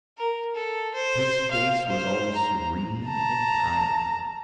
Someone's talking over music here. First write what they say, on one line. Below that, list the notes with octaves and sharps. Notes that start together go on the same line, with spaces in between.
His face was always serene and kind.
A#4
A4
C5
F5
C5
A#5
A5 A#5